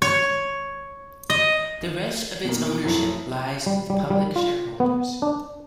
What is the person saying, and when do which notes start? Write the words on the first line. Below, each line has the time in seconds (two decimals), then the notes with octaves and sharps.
The rest of its ownership lies with public shareholders.
0.02 C#5
1.30 D#5
2.44 B2 D#3 A#3
2.84 F2 F#3 C4 E4
3.66 G3
3.90 G3
4.10 G3
4.36 F4
4.80 B3
5.22 D4